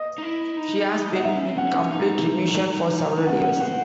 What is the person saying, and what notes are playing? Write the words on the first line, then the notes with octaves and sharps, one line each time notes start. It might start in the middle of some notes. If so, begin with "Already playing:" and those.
She has been in complete remission for several years.
Already playing: D#5
D#4
E4
D#4
F#5
D#4 E5
C#4
C4
C#4 F#5
D#4
D#4
C#4 F#5
F#5
C4 F#5